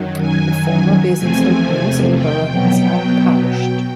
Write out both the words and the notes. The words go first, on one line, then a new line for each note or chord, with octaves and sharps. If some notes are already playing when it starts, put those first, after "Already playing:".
The former Basingstoke Municipal Borough is unparished.
Already playing: F#2 D#3 F#3
G#5
E2 C3 F3 A3 C4 G#5
G5
B2 F#3 B3 G5
G5